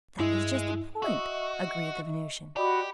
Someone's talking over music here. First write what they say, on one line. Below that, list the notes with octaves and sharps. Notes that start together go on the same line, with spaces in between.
"That is just the point," agreed the Venusian.
G2 G#3 E4 E5
F#4 D#5 E5 C#6
F#4 G4 D5 D#5 B5 D6